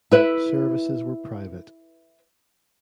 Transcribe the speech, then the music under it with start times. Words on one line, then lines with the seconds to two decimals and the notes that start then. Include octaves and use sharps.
Services were private.
0.11 E4 B4 E5